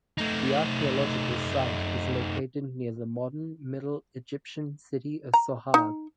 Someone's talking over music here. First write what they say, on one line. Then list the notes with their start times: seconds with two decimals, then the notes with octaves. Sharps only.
The archaeological site is located near the modern Middle Egyptian city of Sohag.
0.18 A3 D#4
5.34 A#5
5.74 D#4